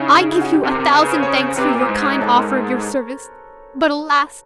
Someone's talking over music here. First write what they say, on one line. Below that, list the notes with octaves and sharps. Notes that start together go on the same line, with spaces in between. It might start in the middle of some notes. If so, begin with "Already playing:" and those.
I give you a thousand thanks for your kind offer of your service; but, alas!
Already playing: C#3 D#4 E4
D#4
E4
F#4
G4
C3 A4
A#4
C3
A#4
C#3 B4
C5
C#5
C#5
C5
C3 B4
A#2
C5
G#2
C#5
A4
A#4